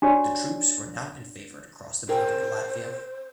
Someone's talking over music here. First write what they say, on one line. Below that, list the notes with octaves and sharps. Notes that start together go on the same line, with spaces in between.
The troops were not in favor to cross the border to Latvia.
D4 F#4 G4 C#5 D5
G#4 A#4 C5 G5